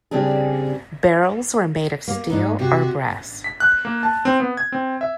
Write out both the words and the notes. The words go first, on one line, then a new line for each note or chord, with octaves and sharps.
Barrels were made of steel or brass.
C#3 G3 C4 D4 G#4
A#3
G#2 D4 D#4
C3 F#4
B6
F#6
A#3
A5
C4
B3
G#6
C4
E5